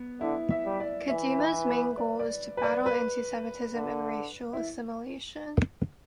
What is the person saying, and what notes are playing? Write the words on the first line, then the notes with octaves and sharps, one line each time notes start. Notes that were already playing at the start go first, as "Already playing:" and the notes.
Kadimah's main goal is to battle anti-Semitism and racial assimilation.
Already playing: B3
D3 E4
E5
G3
D5
E3 E5
B4
B4
D5
D5
B4
D5
B4
D3
E4